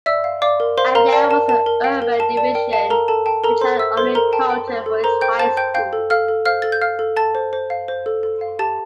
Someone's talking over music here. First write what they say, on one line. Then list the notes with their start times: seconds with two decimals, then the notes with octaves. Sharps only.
And there was the urban division which had only Carlton for its high school.
0.06 D5 E5 E6
0.24 F5
0.42 D5 F5 D6
0.60 A#4
0.77 C5 F5 C6
0.95 A#4 F5 A#5
1.09 G5
1.13 D5 A5
1.30 A#4 A5
1.49 A#4 A5
1.66 A#4
1.84 F5 G5
2.02 A#4
2.20 A#4 A5
2.37 D5 A5
2.55 A#4 G5
2.73 F5 A5
2.90 A4 A#4 A#5
3.08 A4 A5
3.26 G5 A5
3.44 A4 A#4 A#5
3.61 A4 C5 C6
3.79 C5 E5 E6
3.97 A4 C5 C6
4.14 A4 A#4 A#5
4.33 G5 A5
4.50 G5
4.68 C5
4.86 A4
5.04 A#4 C5 A#5
5.21 C5 G5 G6
5.39 C5 A5 A6
5.57 C5 G5 G6
5.74 F5 G5 G6
5.93 A4
6.10 A4 F5 F6
6.28 A4
6.45 C5 F5 F6
6.62 A4 A6
6.72 G6
6.81 F5 F6
6.99 A4
7.16 A4 A5 A6
7.35 C5
7.53 C5
7.70 F5
7.88 C5
8.06 A4
8.23 A4
8.41 F5
8.59 G4 A5 A6